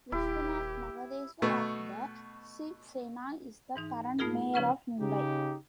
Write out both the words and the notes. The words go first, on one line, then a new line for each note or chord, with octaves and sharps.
Vishwanath Mahadeshwar of the Shiv Sena is the current Mayor of Mumbai.
D#1 E4 G4
B2 A3 B3
G#2 E3 D#4
A3 B3 D#4 F4 G#4 A#4
C#3 F3 C#4 B4 C#6 F6
C#3 D#4 G4